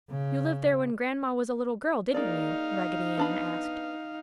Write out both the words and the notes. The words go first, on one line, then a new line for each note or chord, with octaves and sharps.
"You lived there when Gran'ma was a little girl, didn't you?" Raggedy Ann asked.
C#3
A#3 D#4 G#4 D5 F5
B3 D4 B5